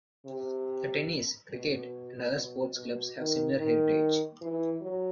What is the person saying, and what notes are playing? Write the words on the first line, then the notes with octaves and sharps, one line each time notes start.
The tennis, cricket and other sports clubs have similar heritage.
C3
B2
B2
B2
D#3
D#3
E3
F#3